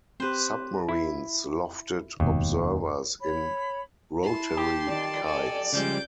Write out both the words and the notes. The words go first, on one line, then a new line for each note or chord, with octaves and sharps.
Submarines lofted observers in rotary kites.
C4 G4 B4 C5
E4
F1 D#2 G#2 B2
C#5 B5
E4 A5 C6
G4
D#3 D5
A4 D#5 G#5
C#3 F3 G3 G#3 D6 G6